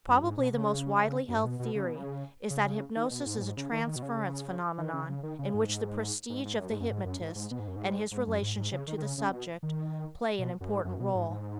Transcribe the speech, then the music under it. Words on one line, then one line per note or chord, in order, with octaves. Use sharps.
Probably the most widely held theory is that hypnosis is a transference phenomenon in which the prestige of the hypnotist and his relationship to the subject plays an important role.
F#2
G#2
B2
C#3
F#2
G#2
B2
B2
C#3
B2
C#3
C#3
D#3
B2
G#2
B2
G#2
C#3
D#3
D#3
B2
C#3
D#3
C#3
C#3
D#3
C#3
G#2
G#2
G#2
G#2
F#2
G#2
F#2
G#2
F#2
G#2
G#2
B2
G#2
F#2
G#2
G#2
F#2
G#2
G#2
C#3
D#3
D#3
C#3
C#3
B2
D#3
B2
F#2
G#2
F#2
B2
G#2
G#2